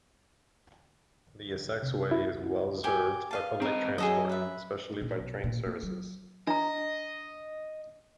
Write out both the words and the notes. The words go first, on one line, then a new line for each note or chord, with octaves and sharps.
The Essex Way is well served by public transport, especially by train services.
C3
E4
G4 G#5
D#5 F5 A5
C4 A#4 D#5
F#2 G#4 A4 D#5
B4 E5
A#2
B1
A#2
A#3
F#3
D4 D#5 A#5